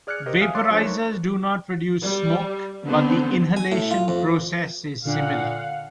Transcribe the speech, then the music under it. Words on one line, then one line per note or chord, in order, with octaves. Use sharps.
Vaporizers do not produce smoke, but the inhalation process is similar.
G#4 D5 F6 F#6 G#6 C#7
G4 A#4 C5 D#5
E5 F5 G#5 D#6 F6 F#6
C#5 F5 C6 D6 F#6 A6
F3 G#3 A3 D4 C5 C#5
D#4 A#4 C#6
G3
D3 B3 C4
G#5
A2
F4
F2
A#2 D3 D4 F5 F#5